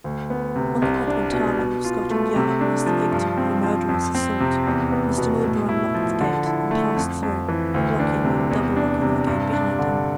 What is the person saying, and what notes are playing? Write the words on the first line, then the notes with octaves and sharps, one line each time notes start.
On the night when Tarling of Scotland Yard was the victim of a murderous assault, Mr. Milburgh unlocked the gate and passed through, locking and double-locking the gate behind him.
D2
B3
C3
C2
D4
B2
B2
F4
A3
C3
D4
F3
G2
C4
F3
F2
C4
C3
E2
B3
B2
A2
E4
F3
D3
E4
A3
F2
F2
E3
D2
D4
C3
E2
D4
C3
G2
D4
D3